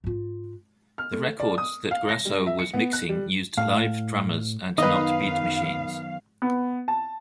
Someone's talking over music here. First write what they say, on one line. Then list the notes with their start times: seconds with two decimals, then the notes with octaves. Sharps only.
The records that Grasso was mixing used live drummers and not beat machines.
0.04 G#2 F4
0.98 F6
1.13 A3
1.40 D5
1.58 D#6
1.91 F5
2.09 A#6
2.25 G3
2.47 E5
2.59 C#7
2.73 B3
2.93 F#6
3.09 G3
3.57 A2 F5
4.78 F#2 D#3 B3 D#4 B4 D#5 F5
6.42 B3
6.88 A5